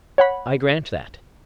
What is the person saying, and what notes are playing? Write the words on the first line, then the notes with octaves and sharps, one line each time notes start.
I grant that.
C#5 F#5 B5